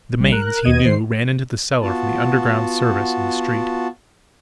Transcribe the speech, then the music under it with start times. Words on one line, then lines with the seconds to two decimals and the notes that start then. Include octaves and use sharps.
The mains, he knew, ran into the cellar from the underground service in the street.
0.20 A#1 G3
0.32 A#4 F#6
0.64 D#2 B2 D#5 G#6 D#7
0.84 D#3 C5 C7
1.82 B3 F4 F#4 A5